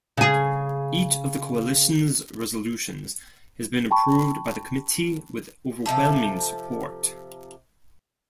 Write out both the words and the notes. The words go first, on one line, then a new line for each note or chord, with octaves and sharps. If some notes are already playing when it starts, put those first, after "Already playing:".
Each of the Coalition's resolutions has been approved by the committee with overwhelming support.
C#3 G#4
G5 A5 B5 C#6
C3 D#3 F3 A4